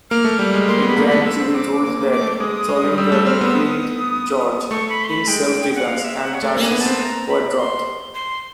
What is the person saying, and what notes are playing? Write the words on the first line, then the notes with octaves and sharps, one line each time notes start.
A grand jury ruled that Trolinger killed George in self-defense, and charges were dropped.
A#3 F6
A3
G3
G#3
A#3 C6
B3 B5
A#3
A3 B5
E6
C4
C4 D6
A#3 D6
A#3
D6
A3
D6
G#3 D#6
G#3
G3
D#6
G3 E6
A3
C4 F6
B3 E6
D#6
A3 C#6
B5
C6
B5
G#3 G5
F#5
F5
E5
F#5
C#5
A3 D5
A#3
G#5
B3
A5
C4
A#5
B5
C6
C6